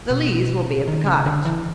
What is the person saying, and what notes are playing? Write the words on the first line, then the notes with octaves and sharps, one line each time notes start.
The Lees will be at the cottage.
B2
D#3
C#3
D3
E3